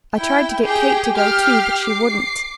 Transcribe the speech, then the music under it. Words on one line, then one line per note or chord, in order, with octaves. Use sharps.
I tried to get Kate to go, too; but she wouldn't.
E4 G5
G4 G#4 G5
G4 F6 C7
D6 C7